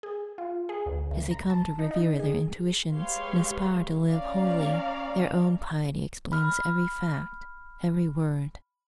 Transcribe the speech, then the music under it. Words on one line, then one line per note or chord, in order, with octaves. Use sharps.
As they come to revere their intuitions and aspire to live holily, their own piety explains every fact, every word.
G#4
F4
G#4
D2
C#2
A#5
A5
D#4
D#4
G#4
G#3 G4 B4 C#5 F5 C6
C#4 D5 F5 A#5
B5 F6